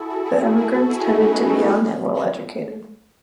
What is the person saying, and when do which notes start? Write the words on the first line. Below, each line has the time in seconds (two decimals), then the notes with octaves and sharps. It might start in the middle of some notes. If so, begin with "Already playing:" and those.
The emigrants tended to be young and well educated.
Already playing: E4 F#4 G#4 A4
0.10 F#4 A4
0.26 E4 G#4
0.58 E4 G#4
0.74 F#4 A4
0.90 E4 G#4
1.06 D#4 F#4
1.22 C#4 E4
1.34 G#3 B3
1.46 F#3 A3
1.58 G#3 B3